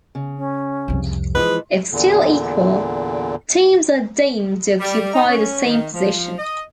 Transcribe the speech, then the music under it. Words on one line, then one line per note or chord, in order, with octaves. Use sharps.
If still equal, teams are deemed to occupy the same position.
C#3
C#4
C2 F2
E3 F3 G#3 G#4 B4
E2 A#2 D3
G3
D#4
C#4
D#3
F3
D#5